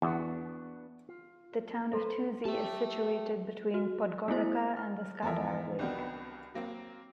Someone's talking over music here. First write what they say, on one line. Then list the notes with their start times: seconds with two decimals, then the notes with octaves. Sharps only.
The town of Tuzi is situated between Podgorica and the Skadar lake.
0.02 E2 B3 D4 F#4
1.09 F4
1.93 A4 B4 C5
2.45 G4 E5 A5
3.74 F#4
4.28 A3 B3 E4 C5
4.76 F6
5.22 E2 F3 A4 A#4 E5
5.79 C2 D#3 F#3 B3 D4
6.54 F#3 A#3 C4